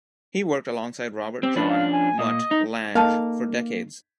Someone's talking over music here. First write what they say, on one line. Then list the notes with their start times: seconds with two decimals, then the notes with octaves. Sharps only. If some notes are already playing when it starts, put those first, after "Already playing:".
He worked alongside Robert John "Mutt" Lange for decades.
1.43 C4 G4
1.56 F3 C#4 D4 B4
1.70 F5
1.92 G#5
2.19 A#2 D#5
2.51 D#4
2.95 A#3 D#4 A4 F5